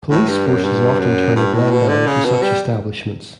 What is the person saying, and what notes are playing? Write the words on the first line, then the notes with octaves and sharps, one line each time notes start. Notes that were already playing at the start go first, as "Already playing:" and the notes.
Police forces often turn a blind eye to such establishments.
A2
G2
F#2
G2
F#2
G2
A2
B2
D3
C#3
B2
G3